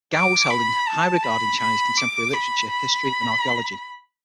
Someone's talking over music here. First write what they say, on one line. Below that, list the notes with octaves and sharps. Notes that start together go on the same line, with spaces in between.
Guo was held in high regard in Chinese contemporary literature, history and archaeology.
D6
B5
A5
B5
B5
D6
B5
B5